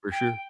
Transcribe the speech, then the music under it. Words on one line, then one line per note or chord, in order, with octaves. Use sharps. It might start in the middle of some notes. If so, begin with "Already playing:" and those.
For sure.
G5